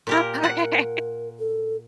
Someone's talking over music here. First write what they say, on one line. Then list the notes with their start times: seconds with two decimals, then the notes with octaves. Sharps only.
Oh, okay.
0.07 A#2 G4 A#4
0.44 F#5
0.61 A#4
1.39 A4